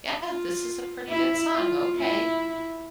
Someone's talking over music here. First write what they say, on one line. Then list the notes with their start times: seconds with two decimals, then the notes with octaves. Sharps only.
yeah, this is a pretty good song. Okay,
0.22 F4
1.09 E4
1.53 F4
1.96 E4